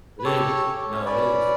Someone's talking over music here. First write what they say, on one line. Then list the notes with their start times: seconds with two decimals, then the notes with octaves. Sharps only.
It is. No, it is.
0.19 B4
0.25 G4 A4 C#5
0.65 C#4
0.94 C#5
1.06 C#4 B4 D5